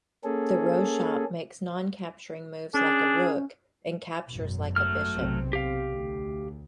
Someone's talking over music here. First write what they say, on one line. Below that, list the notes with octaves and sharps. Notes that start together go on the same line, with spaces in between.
The Roshop makes non-capturing moves like a rook, and captures like a bishop.
A#3 C#4 G#4 A4
C#4 D4 G#4
G#1 F#2 B2
F#3 A3 F6
B1 C3 C4
G4 F5
D2